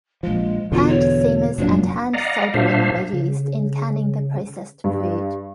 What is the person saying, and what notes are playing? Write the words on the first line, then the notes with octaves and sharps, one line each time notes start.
Hand seamers and hand soldering were used in canning the processed food.
A#1 F3 G#3
E2 B2 D3 F4
C#5
F1 F#2 A#2 D4
D5 D#5 F5 F#5 A#5
A#2 D4 C5 E5 F5
C#3
G2